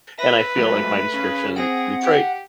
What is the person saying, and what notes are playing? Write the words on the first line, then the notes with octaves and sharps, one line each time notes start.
and I feel like my description Detroit
B4 E5 A#6
G#2 F#3 A3
C#3
C4 G#4 F#5 A#6 D7
G4